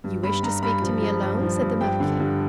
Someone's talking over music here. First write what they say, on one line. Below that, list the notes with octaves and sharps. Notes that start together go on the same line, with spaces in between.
"You wish to speak to me alone?" said the marquis.
G2
G2 B5
G2 A#5
G2 B5
F3
F3
G2
F3
G2
G2 G5
D3
G2